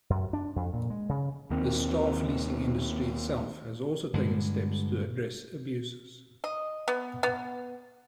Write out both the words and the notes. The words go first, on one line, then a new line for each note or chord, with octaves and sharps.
The staff leasing industry itself has also taken steps to address abuses.
F#2
D4
F2
A#2
G#3
C#3
D#2 D#3 C4
G2 D3 G#3
D#5
B3
B3